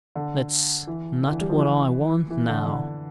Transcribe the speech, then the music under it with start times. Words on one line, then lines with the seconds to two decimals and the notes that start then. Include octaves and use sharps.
That's not what I want now.
0.16 D3
0.87 E3
1.23 D3
1.32 E3
1.41 G3
1.50 F3
1.59 E3
2.30 E3
2.48 D3
2.65 D3